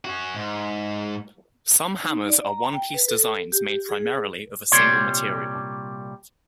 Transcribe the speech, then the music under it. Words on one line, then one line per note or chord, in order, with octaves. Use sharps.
Some hammers are one-piece designs made primarily of a single material.
C#4 F#4
G#2
D#4
D5
A#5
G5
B4
A4
G4
G#4
C2 A#2 G3 C#5 D5 C6